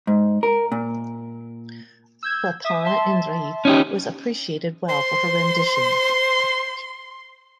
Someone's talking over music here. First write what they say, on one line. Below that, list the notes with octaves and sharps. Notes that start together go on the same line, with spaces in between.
Prarthana Indrajith was appreciated well for her rendition.
G#2
A#4
A#2
E6 G6 G#6
E5 D#6
E5 A5 C6
C#4 D#4 G4
C5 C6